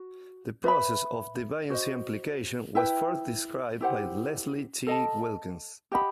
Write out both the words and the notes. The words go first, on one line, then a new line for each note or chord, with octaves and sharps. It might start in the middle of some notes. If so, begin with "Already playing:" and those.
The process of deviancy amplication was first described by Leslie T. Wilkins.
Already playing: F#4
B4 E5 B5
F#4 C5 D#5
E4 B4 E5 G5
E4 G4 C5 F#5
A4 D#5 A5
G4 D#5 F#5 B5